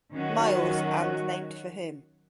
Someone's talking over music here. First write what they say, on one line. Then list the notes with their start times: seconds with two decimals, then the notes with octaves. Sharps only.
Miles, and named for him.
0.12 D#3 F#3 C#4 F#4